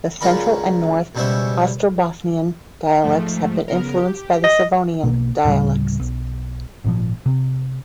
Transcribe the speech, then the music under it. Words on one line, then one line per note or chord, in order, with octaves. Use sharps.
The Central and North Ostrobothnian dialects have been influenced by the Savonian dialects.
C#2 C#4 F4 A#4 D5 B5
C#2 B2 G3 C#4 C5 E5
G#2 F3 A3
C#3 B3 A#4
G4
D#5
B1 B2 A#3
D2 A2 C#3 G3
B1
G#1 A#2 F3
C3